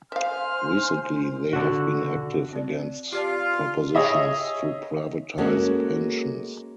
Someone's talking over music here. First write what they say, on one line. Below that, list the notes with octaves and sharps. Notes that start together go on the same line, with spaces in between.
Recently they have been active against propositions to privatize pensions.
C5 E5 F5 G#5 C6 F6
D3 F#4
C4 D5
F4 G4 D5 A5
G#4 C#5 D#5 E5
G#3 A#3 C#4 F#4 G#4 A4